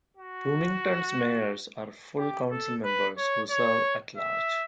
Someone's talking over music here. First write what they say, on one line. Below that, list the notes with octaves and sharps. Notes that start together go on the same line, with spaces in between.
Bloomington's mayors are full councilmembers who serve at large.
F#4
G4
A4
B4
C#5
C#5
E5